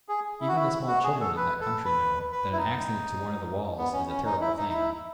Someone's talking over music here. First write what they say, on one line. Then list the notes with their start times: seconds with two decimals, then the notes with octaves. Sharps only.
Even the small children in that country know that an accident to one of the walls is a terrible thing.
0.09 G#4
0.40 E4
0.48 F#4
0.56 E4
0.88 F#4
1.04 G#4
1.20 A4
1.37 B4
1.61 A4
1.85 B4
2.32 B4
2.52 E4
2.57 D#4
3.78 B3
3.93 C#4
4.09 C#4
4.25 D#4
4.41 E4
4.57 D#4
4.69 D#4
4.73 E4